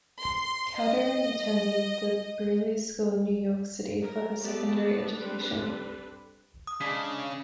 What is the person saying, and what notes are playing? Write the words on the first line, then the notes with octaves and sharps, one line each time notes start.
Calderone attended the Brearley School in New York City for her secondary education.
C6
D#5
A#4
A3 B3 G4 D5 A5
G3 C4 D4 A4 B4
D#6
C#3 G#3 D4 B6